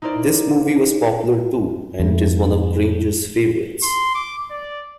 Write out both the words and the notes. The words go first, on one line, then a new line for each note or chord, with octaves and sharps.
This movie was popular too, and it is one of Granger's favourites.
D#4 E4 A#4 C5 D5
F2 A3
C6
D6
D5